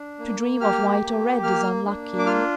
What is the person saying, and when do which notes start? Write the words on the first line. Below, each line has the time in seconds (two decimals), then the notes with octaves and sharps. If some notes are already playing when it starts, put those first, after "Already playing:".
To dream of white or red is unlucky.
Already playing: D4
0.19 A#3
0.61 G4 F6
1.02 A#3
1.43 A#3 F6
1.86 D4
2.18 D6
2.26 F4 F6